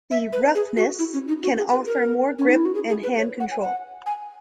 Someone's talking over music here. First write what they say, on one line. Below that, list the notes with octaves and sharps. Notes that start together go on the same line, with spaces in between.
The roughness can offer more grip and hand control.
E5
B4
G#4
F#4
E4
C#4
D#4
F#4
G#4
B4
A#4
C#4
D#4
E4
F#4
G#4
G#4
B4
C#5
F#5
G#5
F#5
G#5